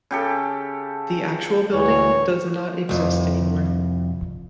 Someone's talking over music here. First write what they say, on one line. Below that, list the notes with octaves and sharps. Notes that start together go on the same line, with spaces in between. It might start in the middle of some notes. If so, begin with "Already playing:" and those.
The actual building does not exist any more.
C#3 G4 A4
D2 A2 E3 C#5
C2 F2